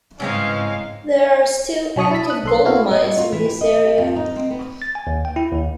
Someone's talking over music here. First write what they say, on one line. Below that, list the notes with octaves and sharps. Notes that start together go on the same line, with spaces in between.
There are still active gold mines in this area.
G#2 C#3 E3 G#3 C4 C#4 D#4 F5
B1 F#3 C#5 D#6 C#7
E4 A5 B6
D#6 F#6
B1 A4 C6
B3 C4 E4 F#4 A4 F5
D#5
F#4
F4
E3
G4
D#5
G4
F2
D#4
C4
B3
A6
G#5
D#2
G5
E4
D#2